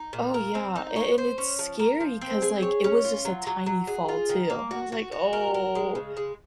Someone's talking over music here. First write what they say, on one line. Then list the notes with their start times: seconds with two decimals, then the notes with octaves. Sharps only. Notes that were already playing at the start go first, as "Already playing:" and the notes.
Oh, yeah, a and it's scary 'cause, like, it was just a tiny fall too. I was like, "Oh,
Already playing: D#4
0.13 A#2
0.34 A#4
0.55 C4
0.75 D#4
0.96 C#5
1.18 C5
1.38 C#4
1.59 F3
1.79 A#4
2.00 F3
2.21 C4
2.42 G#4
2.62 C#5
2.84 C#4
3.04 F4
3.25 F#3
3.47 F#3
3.66 F#3
3.87 G#4
4.08 F4
4.29 D#3
4.50 A#3
4.71 F#4
4.92 F#4
5.12 F#4
5.33 A#4
5.54 A#4
5.75 G#3
5.95 C#3
6.17 G#3